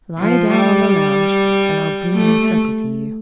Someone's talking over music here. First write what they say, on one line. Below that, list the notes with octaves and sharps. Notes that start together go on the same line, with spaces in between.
"Lie down on the lounge and I'll bring your supper to you."
F3
G3
A3